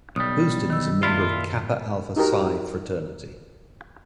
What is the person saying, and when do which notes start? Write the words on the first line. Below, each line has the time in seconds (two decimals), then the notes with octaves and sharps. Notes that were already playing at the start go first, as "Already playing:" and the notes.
Houston is a member of Kappa Alpha Psi fraternity.
0.16 B1 G3 D#6
0.70 D#3 E6
1.03 F#2 A#2 E4 F4 B5
2.16 D#4 F#4 G4 A#4